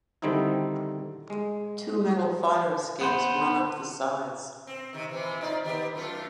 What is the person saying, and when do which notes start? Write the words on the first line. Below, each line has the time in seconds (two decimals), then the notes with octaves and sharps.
Two metal fire escapes run up the sides.
0.22 D3 D#3 G3 C4 D#4 E4
1.30 G#3
3.01 B3 C5
4.67 C4
4.93 C3 D#3
5.09 C3 E3 C4
5.41 D#4 F4 D5
5.64 D#3 B3 G4
5.95 F#2 A3 F4